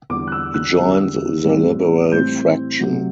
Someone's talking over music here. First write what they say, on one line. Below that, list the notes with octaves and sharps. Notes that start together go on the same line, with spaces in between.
He joined the Liberal fraction.
E2 D3 G3 D6
F#6
E6
F#6
E2 D3 G3
A2 E3 G3 C4
A2 E3 G3 C4 G6
C3 F#3 A3